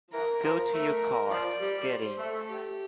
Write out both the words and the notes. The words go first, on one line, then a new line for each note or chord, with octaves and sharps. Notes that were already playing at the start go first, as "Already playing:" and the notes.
Go to your car, get in.
E3 A#4
F3 A#4
A3
F3 D5
G3
C5
A3 A4
G4